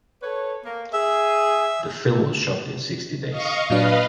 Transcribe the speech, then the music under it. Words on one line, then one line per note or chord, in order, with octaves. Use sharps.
The film was shot in sixty days.
A4 B4 C#5
A#3
G#4 E5
D#5 F5 C#6
A#2 F#3 D4 B4 D#5 F5